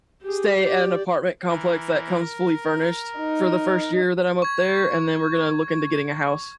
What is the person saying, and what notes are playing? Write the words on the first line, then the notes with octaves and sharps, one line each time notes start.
stay at an apartment complex that comes fully furnished for the first year that I'm up there, and then we're gonna look into getting a house.
G4 G#4
G4 D5
E3 A#4
A#4
D#4
C#6 G#6